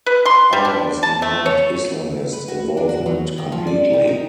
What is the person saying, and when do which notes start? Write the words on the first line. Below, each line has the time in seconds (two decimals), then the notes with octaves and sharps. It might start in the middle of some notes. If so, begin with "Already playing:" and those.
Others denied Islamist involvement completely.
0.06 B4
0.26 C6
0.53 G3
0.65 D4
1.03 A5
1.22 A3
1.46 C#5
2.33 B4
2.48 F#4
2.77 D4
2.89 F#4
3.06 F#3
3.38 D#3
3.52 F3
3.67 D5
3.93 G4
4.07 D#4